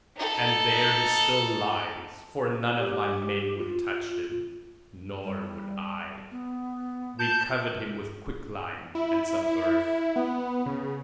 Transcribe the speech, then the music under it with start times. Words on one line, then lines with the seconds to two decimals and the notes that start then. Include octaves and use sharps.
And there he still lies for none of my men would touch him, nor would I. We covered him with quicklime and some earth.
0.16 D#4 A4
2.78 G4
3.58 F4
5.24 G3
6.31 B3
7.19 A5 G6
8.95 E4
9.48 E4
10.16 B3
10.66 C#3